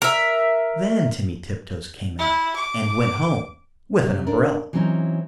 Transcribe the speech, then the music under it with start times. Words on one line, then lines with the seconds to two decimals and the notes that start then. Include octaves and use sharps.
Then Timmy Tiptoes came out, and went home with an umbrella.
0.02 A#4 E5
2.19 E4
2.56 D6
4.01 C3 F#3
4.27 C#4 D4 A#4
4.73 E3 F#3 C4 C#4 D#4